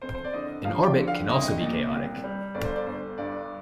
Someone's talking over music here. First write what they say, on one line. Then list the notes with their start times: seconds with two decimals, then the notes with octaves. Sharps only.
An orbit can also be chaotic.
0.02 F2 C5
0.15 C5
0.24 D5
0.33 D3 D#5
0.65 F3 F5
0.86 G5
0.96 D3
1.07 F5
1.28 C2 D#5
1.61 A#2
1.92 C2
2.24 G3
2.54 G1 D5
2.64 C5
2.76 D5
2.86 G1 C5
3.18 G2 D5